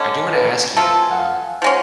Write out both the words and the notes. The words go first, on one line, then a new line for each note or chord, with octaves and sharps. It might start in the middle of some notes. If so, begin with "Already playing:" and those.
I do wanna ask you, um,
Already playing: D3 G#3 C#4
B4
F3 A3 F4 A4
G#5
F#5
F5
F3 G#3 C#4